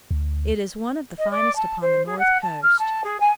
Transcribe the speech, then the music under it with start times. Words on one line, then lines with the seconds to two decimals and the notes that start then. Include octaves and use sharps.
It is one of the finest upon the north coast.
0.11 D2
1.18 D#5
1.31 D5
1.56 A5
1.82 C5
2.06 G#4
2.19 F#5
2.42 A5
2.62 F6
2.79 A5
3.04 G#4
3.20 G#5